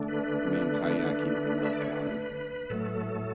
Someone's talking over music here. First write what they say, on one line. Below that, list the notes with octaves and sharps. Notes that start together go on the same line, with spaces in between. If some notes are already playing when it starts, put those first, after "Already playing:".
A man kiyaking in rough water.
Already playing: D3 A3 D4
B4
E5
D5
C#5
B4
A2 F#3 A3 A4